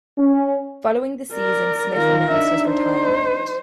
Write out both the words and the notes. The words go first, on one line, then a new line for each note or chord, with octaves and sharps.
Following the season Smith announced his retirement.
C#4
A#4 D5
D#3 F4 A#4
D4 D#4 E5
C5